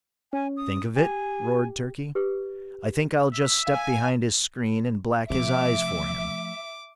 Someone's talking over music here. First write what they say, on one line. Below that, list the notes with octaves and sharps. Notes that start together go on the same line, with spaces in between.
"Think of it?" roared Turkey; "I think I'll just step behind his screen, and black his eyes for him!"
C#4 G#5
D#6
G4 G#5
G4 B4
E5
F5 G#5
C3 F3 A3 E5 D6